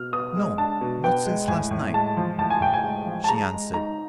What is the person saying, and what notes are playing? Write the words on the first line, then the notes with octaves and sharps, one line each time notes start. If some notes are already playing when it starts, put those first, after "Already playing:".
"No--not since last night," she answered.
Already playing: B2 F6
B3 D#6
G#3
D4 A5
B2
B3 G5
G#3
A2 G#5
A2
G#3 A5
F3
A2 A5
G#5
A2 G5
G#5
G#3
F3
A5
G#4 A#5
G#3
D#4 A#5